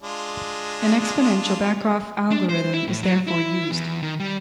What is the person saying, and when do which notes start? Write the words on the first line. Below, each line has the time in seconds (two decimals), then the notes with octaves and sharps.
An exponential backoff algorithm is therefore used.
0.01 G#3 D4 F4
2.31 D4
2.49 C5
2.74 E4
2.87 A2
3.02 F#3
3.27 E4
3.71 E2
4.02 D#3
4.20 G3